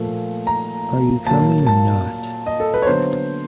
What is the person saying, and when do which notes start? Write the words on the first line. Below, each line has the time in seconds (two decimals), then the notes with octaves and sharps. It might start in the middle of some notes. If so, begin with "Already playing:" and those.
Are you coming or not?
Already playing: A#2 F3 A3
0.47 A#5
1.27 A#2 F#3 A#3 A5
1.67 A5
2.46 D#5
2.60 A4
2.74 B4
2.82 C#5
2.86 D3 F#3 B3 C5